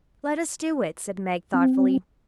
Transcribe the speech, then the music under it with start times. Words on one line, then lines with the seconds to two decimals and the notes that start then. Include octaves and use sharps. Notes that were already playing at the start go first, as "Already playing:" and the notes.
"Let us do it," said Meg thoughtfully.
1.54 C4